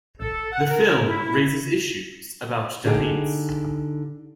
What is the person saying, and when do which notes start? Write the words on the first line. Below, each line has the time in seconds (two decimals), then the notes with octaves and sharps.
The film raises issues about Dalits.
0.20 A4
0.53 F#5
0.70 A#4
1.07 E4
2.84 D3 D#4 G4 G#4